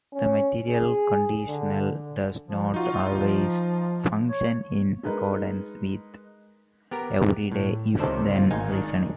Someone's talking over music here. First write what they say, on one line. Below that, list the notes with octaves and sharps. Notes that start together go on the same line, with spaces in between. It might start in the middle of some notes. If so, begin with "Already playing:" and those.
The material conditional does not always function in accordance with everyday if-then reasoning.
C#4
G#4
D3
F3
D#4 F4 F#4
F3
C#5
G#3 D#4 A#4 B4
B3 G4 A#4
A2
C#2 C3 D#3 A4 C5 D5
F4
G#1 D#4 F5 G#5
D#3 D4